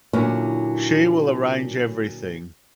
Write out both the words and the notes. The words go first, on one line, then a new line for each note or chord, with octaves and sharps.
She will arrange everything.
A#2 D3 F#3 C#4 E4